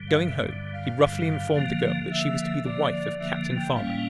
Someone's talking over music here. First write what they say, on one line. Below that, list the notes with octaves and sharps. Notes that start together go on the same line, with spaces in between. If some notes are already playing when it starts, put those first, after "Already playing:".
Going home, he roughly informed the girl that she was to be the wife of Captain Farmer.
Already playing: G2 D3 G3
F5
E5
G2 D3 G3 D5
F5
G2 D3 G3
D3 F3 A#3
D3 F3 A#3 E5
D3 F3 A#3 D5
D3 F3 A#3 E5
G5
A2 G3 A#3 C#4 F5